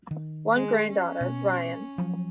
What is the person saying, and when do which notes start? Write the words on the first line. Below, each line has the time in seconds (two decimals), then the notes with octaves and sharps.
One granddaughter, Ryan.
0.11 D#3
0.53 G#3
0.89 C#4
1.21 B2
1.98 F3 F#3